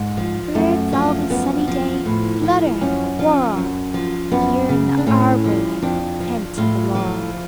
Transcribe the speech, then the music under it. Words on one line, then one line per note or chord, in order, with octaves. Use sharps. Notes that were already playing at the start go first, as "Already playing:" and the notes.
Birds all the sunny day Flutter and quarrel Here in the arbour-like Tent of the laurel.
Already playing: G#2
F3
F#2 A3
F3
F#2 B3
F3
A2
F3
F#2 C#4
F3
F#2
F3
F#2 B3
C#3
D4
A2 C#4
F3
F2 D4
F3
A2 F4
F3